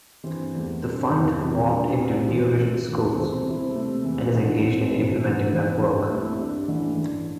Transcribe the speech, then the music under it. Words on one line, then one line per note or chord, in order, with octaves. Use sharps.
The Fund morphed into New Visions Schools and is engaged in implementing that work.
G2 E3 C4 G4 C5
E2 D3 A3 D4 G4
G2 G3 C4 A4
E1 E2 C3 G3
E2 C3 G3 E4
G1 G2 D3 G3 D4
C2 C3 G3 D4 C5
C3 E3 C4 G4 C5
G2 D3 A3 D4
E1 D2 D3
C3 E3 C4 A4 C5
C3 G3 C4 E4 C5
C3 A3 C4
E2 E3 A3
A1 G2 D3
C2 C3 A3 C4 A4
G2 E3 C4
A1 G2 D3 A3
E1 E2 C3 E3
A1 G2 G3 D4 A4
C2 C3 A3 E4
G2 G3 D4
A1 G2 E3 A3 D4
A1 G2 E3